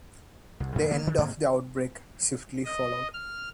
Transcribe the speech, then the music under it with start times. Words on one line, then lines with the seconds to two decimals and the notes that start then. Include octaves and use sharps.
The end of the outbreak swiftly followed.
0.60 C2
0.75 F2 A#2 D3 E3
0.91 D#3 A#3 C#4
1.03 G2 D#3
1.18 G#2 C3 A#3
2.65 D#5
3.14 F6